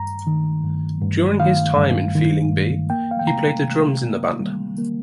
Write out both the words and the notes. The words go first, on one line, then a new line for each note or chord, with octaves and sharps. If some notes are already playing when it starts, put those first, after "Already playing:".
During his time in Feeling B, he played the drums in the band.
Already playing: G2 A#5
D#3
G2
G2
D#3 F5
G2
D#3
G2
A#3 G5
F5
G5
C3 A#5
C3
A#3
G3
A#3